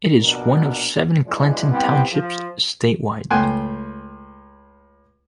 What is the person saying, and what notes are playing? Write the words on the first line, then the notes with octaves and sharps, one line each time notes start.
It is one of seven Clinton Townships statewide.
A#1 B2 D4 A#4
B1 E3 F3 G#3 D4
G3 B3 C4 E4 G4
F3
C#2 A3 G5 G#5 C6 F#6